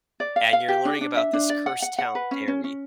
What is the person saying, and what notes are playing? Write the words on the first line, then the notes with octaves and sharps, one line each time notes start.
and you're learning about this cursed town Derry.
D5
F5
F5
G4
D4
D4
E5
D4
D5
F#5
F#5
F#5
B4
C#4
C#4
C#4